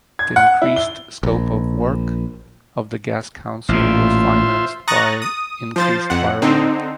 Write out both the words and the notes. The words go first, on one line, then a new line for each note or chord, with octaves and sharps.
The increased scope of work of the Gas Council was financed by increased borrowing.
G#6
F#5
E4
G7
A#1
A1 A#2 F4 C5 E5
A#5 C#6 D#6 F#6 A6 A#6
D#6
F3 C5 A6
F2 F#5
D3 C4 D#4